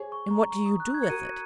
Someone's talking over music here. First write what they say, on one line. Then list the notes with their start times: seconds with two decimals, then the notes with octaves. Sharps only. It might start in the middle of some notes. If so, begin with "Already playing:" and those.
"And what do you do with it?"
Already playing: G#4 C#5
0.12 C#6
0.31 A#5
0.51 C#6
0.66 D#6
0.80 F#6
0.94 G#6
1.03 C#7
1.09 F#4 A#4 D#7